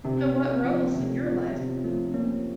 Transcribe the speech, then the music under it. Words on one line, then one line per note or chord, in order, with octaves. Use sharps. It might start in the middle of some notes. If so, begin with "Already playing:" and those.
so what roles in your life? Mhm.
C3 C4
C#4
C4
C#4
F3 B3
C3
F3
C3
F3 A3
A#3 C#4